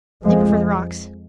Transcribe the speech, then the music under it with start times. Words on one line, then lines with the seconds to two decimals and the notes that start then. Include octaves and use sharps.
They prefer the rocks.
0.24 F2 F3 G#3